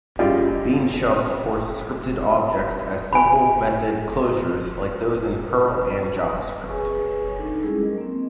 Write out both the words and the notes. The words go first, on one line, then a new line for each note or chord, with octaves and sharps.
BeanShell supports scripted objects as simple method closures like those in Perl and JavaScript.
F#2 G3 F4 D5 D#5
G#5 B5
G#4 B4 C#5 G#5 C#6
D4 D#4 A4
G3 G#3 C#4 E4 G#4
F#3 A#4 D#5
A#3 C4